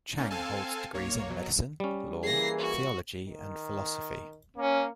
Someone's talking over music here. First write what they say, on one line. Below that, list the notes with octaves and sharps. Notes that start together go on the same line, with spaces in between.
Chang holds degrees in medicine, law, theology and philosophy.
A#3 C#4 D#4
C4 A4 F5 G#5 A5
B1 A#3 C#5
B2 F#3
G3 C#4
E3 A#3 G#4 A#6 C7
F#4
D#3
A#3 C#4